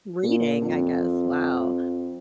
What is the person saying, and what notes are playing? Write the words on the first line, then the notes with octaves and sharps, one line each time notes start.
reading, I guess, wow
A#2
F2